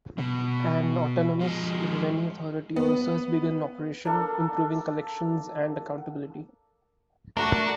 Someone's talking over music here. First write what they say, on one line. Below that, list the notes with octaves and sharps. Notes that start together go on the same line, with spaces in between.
An autonomous revenue authority also has begun operation, improving collections and accountability.
B2
F3 G#3
B3
A#3 D4 A4
A3 D4 F#4 A#4